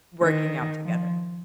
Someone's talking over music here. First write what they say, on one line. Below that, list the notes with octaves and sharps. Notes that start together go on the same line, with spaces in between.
working out together.
D#3
F3